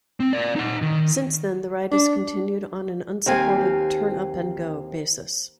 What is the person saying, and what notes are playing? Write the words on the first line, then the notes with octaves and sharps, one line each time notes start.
Since then the ride has continued on an unsupported 'turn up and go' basis.
C4
A#4 D5
D#4 F#5
D#3
D4
D#2 C4 F5 G#5